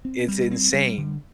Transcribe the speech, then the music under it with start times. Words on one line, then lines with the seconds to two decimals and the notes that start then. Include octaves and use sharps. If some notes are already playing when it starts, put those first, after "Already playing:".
It's insane
0.05 C4
0.28 G3
0.51 C4
0.74 G3
0.98 D3